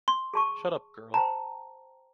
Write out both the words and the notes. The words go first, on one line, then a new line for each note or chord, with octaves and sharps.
Shut up, girl!
C6
G#4 A5 C#6
C5 G5 A5 A#5